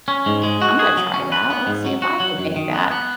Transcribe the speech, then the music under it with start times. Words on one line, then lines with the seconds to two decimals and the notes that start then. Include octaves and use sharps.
I'm gonna try that, let's see if I can make that,"
0.08 C#4
0.26 G#2
0.43 G#3
0.62 F#4
0.79 G#4
0.97 F#3
1.14 C#4
1.32 B4
1.50 B3
1.67 G#2
1.85 F#3
2.02 F#4
2.20 F#3
2.38 F#2
2.56 D#3
2.74 B3
2.92 B3